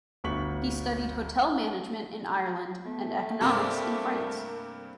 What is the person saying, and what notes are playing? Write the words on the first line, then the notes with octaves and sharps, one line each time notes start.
He studied hotel management in Ireland and economics in France.
G1 D2 C#6 B6 F#7
A3 B3
G2 C3 A#3 C4 D4 A#4